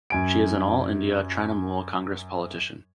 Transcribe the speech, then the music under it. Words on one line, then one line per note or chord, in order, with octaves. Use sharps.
She is an All India Trinamool Congress politician.
F#2 G#5 D7